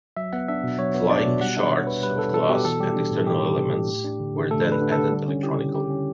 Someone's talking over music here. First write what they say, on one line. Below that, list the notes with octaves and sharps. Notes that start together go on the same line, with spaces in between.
Flying shards of glass and external elements were then added electronically.
F#3 E5
B3 F#5
D4 E5
B2
F#3 C#5
B3
D4 D5
B2
G3 F#5
D4 E5
B2 C#5
B2 B4
G3 B4
D4 A4
B2 A4
B2 G4
E3 A4
G3 G4
D4
A2
E3 G4
G3
D4
A2
A3
D4
D3
D3
A3 A4
D4
B4
D3
D3 A4
G3
C#4
E4 G4
C#3
G3 G4
C#4